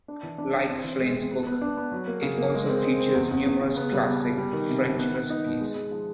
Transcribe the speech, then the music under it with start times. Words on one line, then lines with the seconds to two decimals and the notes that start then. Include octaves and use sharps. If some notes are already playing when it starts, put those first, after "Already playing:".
Like Flinn's book, it also features numerous classic French recipes.
0.08 D4
0.23 E3
0.38 D4
0.55 D4
0.69 C4
0.84 E3
1.00 G#3
1.16 C4
1.31 B3
1.47 B3
1.62 D4
1.77 B3
1.92 F#3
2.07 A#3
2.22 C#3
2.38 A#3
2.54 G#3
2.69 C4
2.84 G#3
3.00 C4
3.15 E2
3.31 E2
3.46 E2
3.61 C#3
3.77 B3
3.92 G3
4.07 B2
4.22 B2
4.38 G3
4.53 D#3
4.69 C3
4.85 D#3
4.99 B3
5.15 B3
5.30 D#4
5.46 B2
5.61 G#3
5.76 G#3
5.91 F3